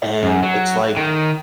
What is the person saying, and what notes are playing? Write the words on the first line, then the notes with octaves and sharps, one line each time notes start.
And it's like
F#2
F#3
D#3